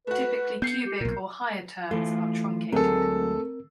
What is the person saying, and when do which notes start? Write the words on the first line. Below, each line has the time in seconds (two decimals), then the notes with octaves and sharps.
Typically cubic or higher terms are truncated.
0.07 A3 F#4 B4
0.62 B3 G6 C7 C#7
0.85 G4
1.01 B1 A#2 A#4
1.91 E3 A3 F4
2.72 D2 F#3 G#3 A3 C4 A4 A#4